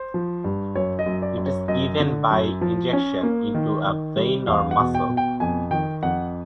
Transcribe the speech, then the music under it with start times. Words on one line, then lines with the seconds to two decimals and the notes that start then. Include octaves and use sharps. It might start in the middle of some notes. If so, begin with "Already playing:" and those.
It is given by injection into a vein or muscle.
Already playing: C5
0.14 F3
0.44 G2
0.75 F#2 C#5
0.99 D#5
1.06 F#2
1.22 D5
1.37 F#2
1.46 C#5
1.68 F#2 D#5
2.00 D3
2.31 F#2
2.61 F3
2.93 C#4
3.23 A#3
3.54 D#3
3.86 D#3
4.16 G3
4.47 E2 F5
4.71 F#5
4.78 B2
4.95 G5
5.10 B2
5.17 G5
5.40 F2 G#5
5.71 D#3 G5
6.02 F2 F#5